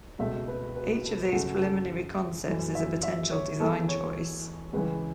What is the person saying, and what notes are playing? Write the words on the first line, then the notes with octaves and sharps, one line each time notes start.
Each of these preliminary concepts is a potential design choice.
C#2 B2 A3 E5
B4
B4
A4
F#2 C#3 A3 F#4
A4
F#2 E3 A3
E5
E5
C#5
E2 E3 A3 A4
C#5
C#2 C#3 E3 B4